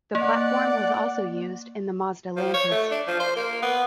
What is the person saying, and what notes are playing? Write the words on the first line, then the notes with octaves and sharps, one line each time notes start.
The platform was also used in the Mazda Lantis.
A#3 D5 F#5
F3
C#5
A3
D4
F3
C5
A#3
B3